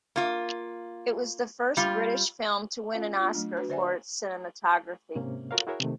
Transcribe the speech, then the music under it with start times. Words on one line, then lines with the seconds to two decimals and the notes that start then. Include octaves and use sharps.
It was the first British film to win an Oscar for its cinematography.
0.16 A#3 F4
1.77 G3 F4
2.92 C#4 F4 E5 F5
3.19 B3 D4 F4
3.34 F#3 A3 D4
3.57 D4 F#4 B4
3.69 D3 C5 D5 E5 F#5 G#5
5.15 G#2 C3 A#3 C#4
5.51 F4 F#4 A4 A#4 C#5 F5
5.67 E4 F#4 G#4 A#4 C#5 E5
5.80 C3 D#3 A3